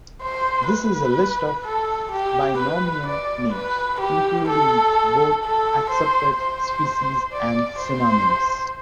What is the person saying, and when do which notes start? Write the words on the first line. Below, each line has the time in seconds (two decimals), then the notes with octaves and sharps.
This is a list of binomial names, including both accepted species and synonyms.
0.22 C5
0.69 B4
1.64 A4
2.12 G4
2.59 B4
3.07 D5
3.53 B4
4.01 G4
4.49 A4
5.44 A4
5.90 C5
6.38 C5
7.33 D5
7.80 C5